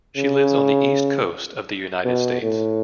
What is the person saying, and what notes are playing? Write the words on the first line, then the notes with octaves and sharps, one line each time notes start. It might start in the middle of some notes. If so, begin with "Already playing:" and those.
She lives on the East Coast of the United States.
C#3
B2
A2